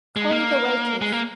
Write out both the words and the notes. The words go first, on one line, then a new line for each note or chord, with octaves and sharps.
Call the waiters!
G#3
A#3
G#3
A#3